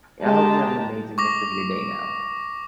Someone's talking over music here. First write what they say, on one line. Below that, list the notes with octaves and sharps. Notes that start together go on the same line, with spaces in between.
and I hope you have an amazing rest of your day now.
G#3 G4 A5 A#5
C#6 D6 A#6